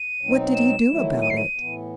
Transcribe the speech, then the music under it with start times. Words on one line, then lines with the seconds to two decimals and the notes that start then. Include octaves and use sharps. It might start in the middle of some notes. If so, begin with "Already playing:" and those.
What did He do about it?
Already playing: D#7
0.21 B2 F#3 C4 D#4
0.55 E7
0.88 D#3 F#3 A3 E4
1.22 D#7
1.30 C7
1.37 D#7
1.57 A2 E3 B3